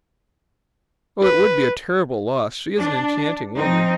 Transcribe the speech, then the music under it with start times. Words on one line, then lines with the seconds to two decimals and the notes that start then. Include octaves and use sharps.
"Oh, it would be a terrible loss, she is an enchanting woman."
1.23 B4
2.78 D4
3.59 F3 C4 D#4